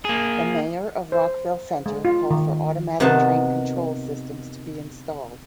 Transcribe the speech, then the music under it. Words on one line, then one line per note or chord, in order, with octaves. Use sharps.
The mayor of Rockville Centre called for automatic train control systems to be installed.
A#3 G#4
C5
G#3
F4
D#3
C3 D#3 B3 F#4 A5